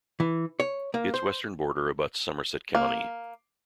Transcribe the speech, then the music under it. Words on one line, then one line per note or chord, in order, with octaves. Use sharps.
Its western border abuts Somerset County.
E3
C#5
A#3
C5
A#3